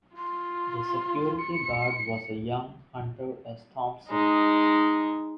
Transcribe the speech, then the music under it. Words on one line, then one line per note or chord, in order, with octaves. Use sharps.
The security guard was a young Hunter S. Thompson.
F4 C6
C#7
G#3 D#4